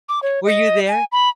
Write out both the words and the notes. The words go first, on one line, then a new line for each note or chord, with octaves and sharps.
Were you there?
D6
C#5
D#5
G#5
B5